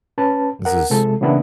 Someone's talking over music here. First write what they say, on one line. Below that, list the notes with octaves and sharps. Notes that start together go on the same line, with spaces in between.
This is
C#4 B4 A5
A#4 F#5
C3 F3 G#3 A4
C#3 E3 A#3 B3 D4 E4